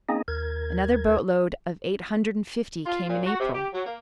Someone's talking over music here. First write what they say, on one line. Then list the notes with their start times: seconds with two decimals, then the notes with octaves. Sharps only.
Another boat-load of eight hundred and fifty came in April.
0.09 A#3 C4 C#4 D#4 G#4 D#5
0.28 D#2 A#4 G#6
2.85 F4
3.08 A#2
3.25 F#4
3.39 C3
3.53 G4
3.73 F#3
3.86 A#3